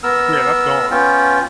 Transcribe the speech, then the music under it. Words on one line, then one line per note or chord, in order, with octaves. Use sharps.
Yeah, that's gone.
B3 A#4 E6
B3 C#4 F4 G5